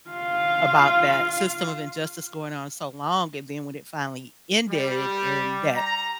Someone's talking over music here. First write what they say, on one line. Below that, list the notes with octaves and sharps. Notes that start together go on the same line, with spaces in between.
about that system of injustice going on so long and then when it finally ended and that,
F4 F5
G3
A#5